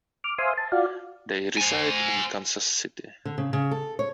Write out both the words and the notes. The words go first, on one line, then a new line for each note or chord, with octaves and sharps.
They reside in Kansas City.
D6 F6
C5 E5 F5 G#5 C6 D#6
A5
F4 F#4 D5 F5
C5 G#5
D3
C#3
C#3
A4
C#5